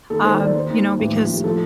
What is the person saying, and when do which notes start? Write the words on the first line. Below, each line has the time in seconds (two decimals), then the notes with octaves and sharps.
um, you know, because,
0.10 D#2 A4
0.25 D#3 C5
0.39 D#3 D5
0.54 D#2 C5
0.70 D#2
0.85 D#2
0.99 A1
1.15 F3
1.29 A2 G4
1.44 F3 A4